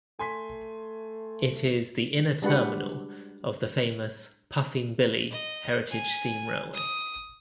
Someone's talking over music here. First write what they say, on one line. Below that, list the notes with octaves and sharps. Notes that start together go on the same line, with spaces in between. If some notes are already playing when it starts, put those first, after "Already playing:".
It is the inner terminal of the famous Puffing Billy heritage steam railway.
A3 G#5 C6 B6
G3 G#3 D4 F#4 B4 F#5
D#5
G#5
D#6